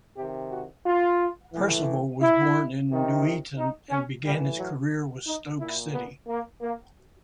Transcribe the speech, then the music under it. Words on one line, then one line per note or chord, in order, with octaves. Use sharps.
Percival was born in Nuneaton and began his career with Stoke City.
C3 D#3 G4
F#4
F4
A2 E3
E4
C3 D#3
D#4
C#4
A2 E3 G3
F#3
D#4
A#2 E4
B3
A#3
A#3